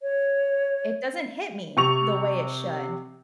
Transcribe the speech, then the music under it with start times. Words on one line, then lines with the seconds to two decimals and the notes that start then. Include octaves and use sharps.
It doesn't hit me the way it should.
0.02 C#5
1.77 C3 C#6 F7